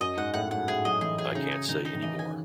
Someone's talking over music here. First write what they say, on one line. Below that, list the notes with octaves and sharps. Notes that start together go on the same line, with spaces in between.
I can't say anymore.
F#2 D#5
G#2 F#5
A2 F#5
G#2 F#5
A2 G#4
F#3 D#5
E3 G#4
G#4
C#3 D#4
G#5
D#3 D#4
D#4
D#3
E3 D#5
G#5